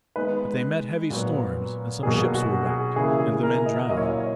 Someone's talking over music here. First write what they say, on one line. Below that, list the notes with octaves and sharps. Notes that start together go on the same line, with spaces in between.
But they met heavy storms, and some ships were wrecked, and the men drowned.
D#3 G#3 B3 D#4 B4
A#2 F#3 B3
B2 F#3 A#3 D#4 G#4
F#4
G#4
C#3 E3 A#3 E4 G#4
G#4
A#4
D#5
A#2 F#3 A#3 E4 D#5
C#5
D#5
C#5